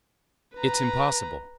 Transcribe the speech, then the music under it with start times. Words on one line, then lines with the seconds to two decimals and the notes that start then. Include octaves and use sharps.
"It's impossible!"
0.55 B4 A#5